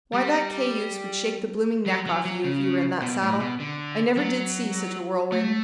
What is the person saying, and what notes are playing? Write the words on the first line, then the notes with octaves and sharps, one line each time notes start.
"Why, that cayuse would shake the blooming neck off you if you were in that saddle. I never did see such a whirlwind."
G3
F#3
F#3
F#3
C#3
B2
A2
B2
D3
F#3
A3